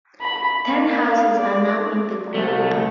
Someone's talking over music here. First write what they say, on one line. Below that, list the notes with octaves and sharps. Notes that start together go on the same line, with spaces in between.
Ten houses are now in the group.
B5
A#3
F5
D5
C2 A3